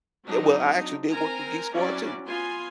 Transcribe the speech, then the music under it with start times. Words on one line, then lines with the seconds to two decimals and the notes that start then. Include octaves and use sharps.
Eh, well, I actually did work with Geek Squad, too.
0.24 F#3 C4 D4 D#4
1.09 C4 A#4 G#5 A#5
1.73 F#3 C4 C#4 E4 F#4 D5
2.26 B3 F4 G#5 C6